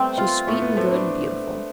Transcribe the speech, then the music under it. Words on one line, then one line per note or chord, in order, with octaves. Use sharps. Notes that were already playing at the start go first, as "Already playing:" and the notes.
She's sweet and good and beautiful.
Already playing: G3 A3 B3 C4
F4
A2 A3
B3
A2 C4
D4